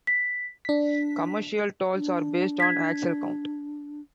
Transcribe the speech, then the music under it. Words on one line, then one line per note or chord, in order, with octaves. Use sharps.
Commercial tolls are based on axle count.
B6
D4 B6
D4
G#6 B6